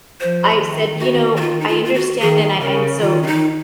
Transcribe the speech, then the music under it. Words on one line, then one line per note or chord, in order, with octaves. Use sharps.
I said, "You know, I understand, and I I'm so
F3 C5
D#3
F#4
F#4
F4
D#4
F4
F4
F#4
D#3 G#4
C#3 A#4
D#3 F4
C#4
D#4